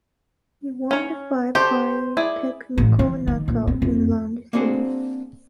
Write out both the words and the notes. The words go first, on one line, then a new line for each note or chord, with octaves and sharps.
He won the fight via technical knockout in round three.
C#4 C#5
G4 A4 C5
E4 G#4 D5
A1
E3
D#3
A#1
C4
F2
A#3 C4 D4 F#4 G#4 C5